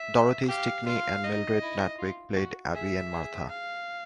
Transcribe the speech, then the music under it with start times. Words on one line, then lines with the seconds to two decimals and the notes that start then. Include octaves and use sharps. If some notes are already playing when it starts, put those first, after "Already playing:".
Dorothy Stickney and Mildred Natwick played Abby and Martha.
Already playing: E5
0.48 G4 F5
0.86 F4 F5
1.24 D#4 D#5
1.61 E4
1.98 F4
2.36 F#4
2.74 G#4 E5
3.12 G#4
3.49 F5